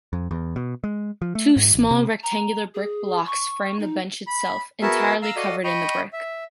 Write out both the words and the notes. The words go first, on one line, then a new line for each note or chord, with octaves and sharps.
Two small rectangular brick blocks frame the bench itself, entirely covered in brick.
F2
E2
B2
G#3
F3
A3
G#2
A1
C3
A#5
G#4
C#6
D#4
B5
B3 F#4 G#4 A#4 E5 A5
F5 A#5 E6
F#4 A4 D5 D#5 F5
D#5 G5 B5 C#6
E5